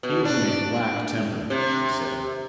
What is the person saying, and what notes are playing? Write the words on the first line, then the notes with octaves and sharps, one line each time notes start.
"He is in a black temper," they said.
B2
D4
C3